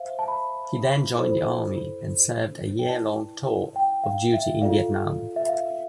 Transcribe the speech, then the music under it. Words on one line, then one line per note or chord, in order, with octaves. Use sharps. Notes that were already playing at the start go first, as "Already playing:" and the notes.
He then joined the army and served a year-long tour of duty in Vietnam.
Already playing: C5 E5 F5
A5
B5
E4 A4 C5
G5
E4 B4 D5 A5
G5
F5
F5
E5
F4 A4 D5 F5
E5
F5